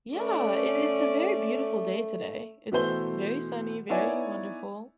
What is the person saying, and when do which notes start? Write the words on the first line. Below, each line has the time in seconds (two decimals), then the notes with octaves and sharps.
Yeah. It it's a very beautiful day today. It's very sunny, very wonderful.
0.14 A3 C#4 D5
2.72 B2 E3 A3 C5 G7
3.89 B3 D#4 E4 C#5 D5 G#5